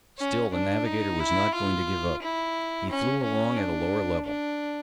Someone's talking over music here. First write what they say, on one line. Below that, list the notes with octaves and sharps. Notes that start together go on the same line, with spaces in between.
Still the navigator was not going to give up. He flew along at a lower level.
C#4
D4
D#4
E4
F4
E4
C#4
C#4
D4
D4